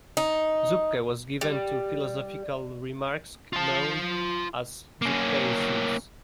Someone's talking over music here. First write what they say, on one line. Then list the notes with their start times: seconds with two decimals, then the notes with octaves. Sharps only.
Zuppke was given to philosophical remarks, known as Zuppkeisms.
0.17 D#4
1.41 G3
3.53 F4 A5
5.02 A#3 C#4